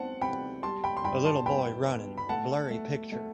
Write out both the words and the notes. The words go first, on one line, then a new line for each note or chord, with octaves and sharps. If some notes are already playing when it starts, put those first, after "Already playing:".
A little boy running, blurry picture.
Already playing: C4 F#5 A5
C3 G5 B5
G3 A5 C6
G5 B5
C6
G2 G5 B5
A5 C6
B3 G5 B5
B3
B5
A3 F#5 A5
A3
A3